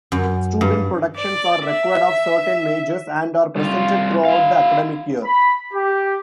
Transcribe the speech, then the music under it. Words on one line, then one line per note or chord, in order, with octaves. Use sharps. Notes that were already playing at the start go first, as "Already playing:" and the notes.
Student productions are required of certain majors, and are presented throughout the academic year.
F#2
G2
D5
E5
C2 F4
E4 F5
B5
G4